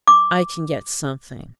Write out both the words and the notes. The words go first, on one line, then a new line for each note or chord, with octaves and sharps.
"I can get something."
D6